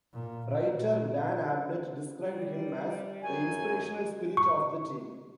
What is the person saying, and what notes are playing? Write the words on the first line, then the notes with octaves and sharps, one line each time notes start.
Writer Dan Abnett described him as "the inspirational spirit" of the team.
A#2
A#2
G3
F#2 G#5
C#6